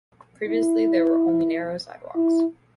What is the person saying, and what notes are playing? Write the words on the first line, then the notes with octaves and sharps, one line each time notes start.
Previously, there were only narrow sidewalks.
E4
E4